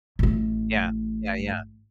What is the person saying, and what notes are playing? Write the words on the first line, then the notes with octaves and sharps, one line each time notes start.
Yeah. Yeah, yeah.
A1 A2